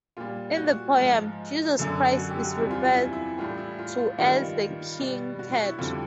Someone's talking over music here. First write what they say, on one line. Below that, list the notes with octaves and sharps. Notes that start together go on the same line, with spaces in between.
In the poem, Jesus Christ is referred to as the "king cat".
A#2 G3 F4
F#4
G#2 F3 F4
F#2 D3 F#3
F#4
G4
F#4
E2 C3 E3 G3 E4
F4
F4
E4
E4
A2 E3 G3 F4
E4
F4
F4
G2 D#3 G3 F4
B2 G3
F#4
F#4
E4
F2 D3 G3 F4